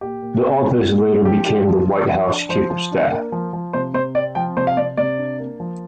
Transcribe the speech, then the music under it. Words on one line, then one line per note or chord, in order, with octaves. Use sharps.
The office later became the White House Chief of Staff.
A#2 G4
A#2
C4
G3
A#2
A#2
F3 G4
D4
F3
D4
F3
D4
F3 C5
F3
D4
A#3
F3
F3
C3 C5
C3 C5
C4 D5
F3 G5
C3 C5
F5
C3 D5
C3 D5
D4
A#3
F3